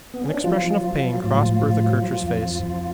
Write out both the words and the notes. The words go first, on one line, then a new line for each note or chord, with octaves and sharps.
An expression of pain crossed Bertha Kircher's face.
B3
C#4
D4
F3 F#3 F4
F#3
F#3
F#3
A2 F3 F4
A2
A2
F#3
F3
F2
F3
F2